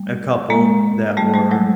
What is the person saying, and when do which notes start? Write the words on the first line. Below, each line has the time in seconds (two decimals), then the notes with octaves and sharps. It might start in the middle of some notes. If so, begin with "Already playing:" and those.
a couple that were
Already playing: G3 A3
0.50 G#3 A#3
1.17 G3 A3
1.34 G3 A3
1.51 F#3 G#3